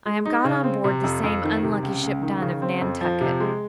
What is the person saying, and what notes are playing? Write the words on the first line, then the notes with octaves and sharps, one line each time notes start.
I am got on board the same unlucky ship Done, of Nantucket.
G#3
D#4
C#3
C4
C3
F2
F2
D#3
C3
C#2
C#2
D#3
C#3
C4
F2
F3
C3
G#3